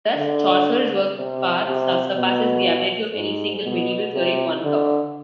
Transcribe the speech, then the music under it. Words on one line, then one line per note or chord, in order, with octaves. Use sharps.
Thus Chaucer's work far surpasses the ability of any single medieval theory to uncover.
D3
C3
C3
B2
G#2
B2
C3
D3